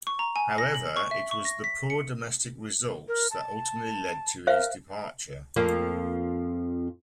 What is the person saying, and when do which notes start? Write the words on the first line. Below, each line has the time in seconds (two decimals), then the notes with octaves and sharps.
However it was the poor domestic results that ultimately led to his departure.
0.07 C#6
0.19 A#5
0.36 G#5
0.58 A#6
0.75 F#7
0.96 C#6
1.11 E5
1.31 C#6
1.45 A#6
1.64 B6
1.90 C#7
3.08 A#4
3.31 A5
4.47 A#4 C5 E5 F5
5.56 F2 F3 A#3